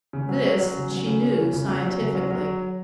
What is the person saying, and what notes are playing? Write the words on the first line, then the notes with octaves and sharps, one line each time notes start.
This she knew scientifically.
C#3
F#3
C#4
F#3
C#3
F#3
C#3
C#4
C#3
C#3
F#3
F#3
C#3
F#3
F#3